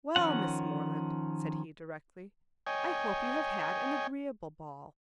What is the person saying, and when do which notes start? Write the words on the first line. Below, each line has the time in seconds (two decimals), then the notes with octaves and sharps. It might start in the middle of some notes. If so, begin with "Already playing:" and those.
"Well, Miss Morland," said he, directly, "I hope you have had an agreeable ball."
0.16 D#3 F3 C#4 F#5
2.67 C#5 D#5 G5 G#5